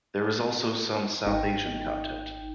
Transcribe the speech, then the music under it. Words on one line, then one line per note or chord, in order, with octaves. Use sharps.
There is also some South Asian content.
G#1 D#4 G5